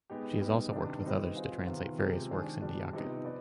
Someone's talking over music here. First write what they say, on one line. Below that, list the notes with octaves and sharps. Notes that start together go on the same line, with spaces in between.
She has also worked with others to translate various works into Yakut.
G#3 B3 D#4 G4
G3 B3 D#4
C3 D#3 B3 D4
G3 C4 D#4 B4 D#5
C4 F4 G#4
C3 D#3 B3 F4
C3 F3 G#3 C4 G4
D#3 G#3 D4 G#4
B2 G3 D4
C3 F3 B3 D#4 G4
B4 D5